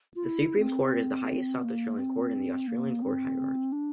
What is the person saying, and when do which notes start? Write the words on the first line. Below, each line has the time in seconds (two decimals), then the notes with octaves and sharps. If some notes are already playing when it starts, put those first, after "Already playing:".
The Supreme Court is the highest South Australian court in the Australian court hierarchy.
0.16 F4
0.24 E4
0.59 C4
1.64 A#3
1.99 C4
2.68 A#3
3.02 C4
3.72 D4